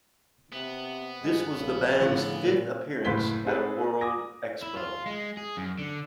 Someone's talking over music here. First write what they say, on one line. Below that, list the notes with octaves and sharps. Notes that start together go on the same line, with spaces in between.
This was the band's fifth appearance at a World Expo.
C3 B3
G2 G#3
A#1 C#3
A2 D3 F3
A#2
F#1 A2 B4 C6 B6 G7
C4 G#4 A4 B4
D6 D#6 A#6
E4
F4
G#3
G#4
F#2
D3